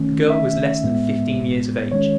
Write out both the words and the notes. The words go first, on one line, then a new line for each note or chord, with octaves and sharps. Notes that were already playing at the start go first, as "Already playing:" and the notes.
The girl was less than fifteen years of age.
Already playing: D#3 A3 C#4
E5
A2 G#3 B3
D#3 G#3 C#4 C#5